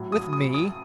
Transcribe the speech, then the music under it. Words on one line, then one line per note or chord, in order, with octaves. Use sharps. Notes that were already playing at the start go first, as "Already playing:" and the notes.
"With me!"
Already playing: A2 F#3
D#6
D#6
D#6